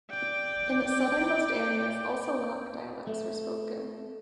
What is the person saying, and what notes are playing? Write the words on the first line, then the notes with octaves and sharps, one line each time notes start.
In the southernmost areas, also Lach dialects were spoken.
D5 G5
A3